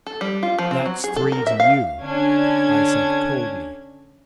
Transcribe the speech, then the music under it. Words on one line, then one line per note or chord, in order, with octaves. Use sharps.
"That's three to you," I said coldly.
A4
G3
F4
F3
C4
F#3
G#4
A4
A#4
E5
F5
D3 C#4 D4 G#6